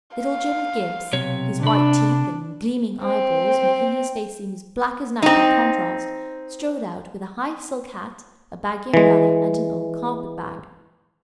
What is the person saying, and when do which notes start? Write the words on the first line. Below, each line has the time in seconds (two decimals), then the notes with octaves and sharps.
Little Jim Gibbs, his white teeth and gleaming eyeballs making his face seem as black as night by contrast, strode out with a high silk hat, a baggy umbrella, and an old carpet-bag.
0.16 F5
1.13 B1 C3 C#5
1.63 C3 D4 B5
3.03 C4
5.22 C4 D#4
8.94 E3 G#3